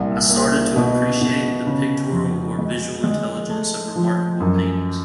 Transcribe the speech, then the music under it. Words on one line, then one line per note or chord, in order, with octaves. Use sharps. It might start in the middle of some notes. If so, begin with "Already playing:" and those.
I started to appreciate the pictorial or visual intelligence of remarkable paintings.
Already playing: C2 A#2
A#3
B2
B2
C#3
F2
G#3
G#3
A3
F3
F#2